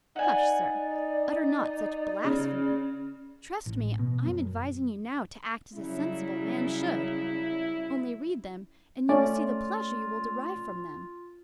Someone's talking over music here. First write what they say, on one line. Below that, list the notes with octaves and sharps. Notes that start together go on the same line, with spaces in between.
Hush, sir; utter not such blasphemy; trust me I am advising you now to act as a sensible man should; only read them, and you will see the pleasure you will derive from them.
D#4 D5 F#5 G#5
C#3
A1
B2
F#2
C#3 F#3 G3 E4
A3 C#4 F4 D5